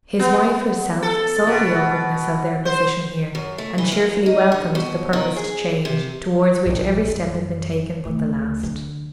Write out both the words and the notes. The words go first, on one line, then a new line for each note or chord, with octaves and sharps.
His wife herself saw the awkwardness of their position here, and cheerfully welcomed the purposed change, towards which every step had been taken but the last.
B3
A4
B2
C5
F#2
A3
E3
A#3
D#4
D3
B2
D#3
G#4
C3
A#1
F#2
D2
D3